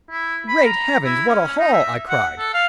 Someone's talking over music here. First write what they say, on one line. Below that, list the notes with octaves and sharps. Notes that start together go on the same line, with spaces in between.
"Great Heavens, what a haul!" I cried.
E4
B5
A#5
E4
C#4
D#4
E5
F#5
A4
F5